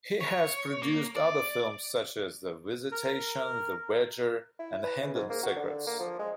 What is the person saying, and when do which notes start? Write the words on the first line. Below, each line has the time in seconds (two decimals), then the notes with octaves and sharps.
He has produced other films such as "The Visitation", "The Wager", and "Hidden Secrets".
0.21 C#5
0.83 A#3
1.16 D5
2.92 A#4
4.59 E4
4.84 B4
5.01 C#3
5.15 G#2
5.29 A#3
5.43 F#4
5.56 D3
5.87 A#3
6.00 F3
6.19 G#3